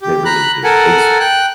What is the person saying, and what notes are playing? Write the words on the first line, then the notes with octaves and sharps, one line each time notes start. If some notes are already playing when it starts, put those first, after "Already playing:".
they really do. Ex
G4
A#5 B5 F#6
A4 A#4 F#5 G#5
G5 F#6